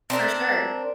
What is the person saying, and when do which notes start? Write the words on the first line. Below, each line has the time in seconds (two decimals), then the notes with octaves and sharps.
For sure.
0.10 C4 D4 A#4